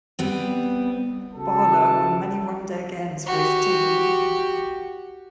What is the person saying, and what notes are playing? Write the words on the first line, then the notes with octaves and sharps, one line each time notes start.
Barlow won many one-day games for his team.
G3 B3 C4
C#3 F#4 A4 A5
F#4 G4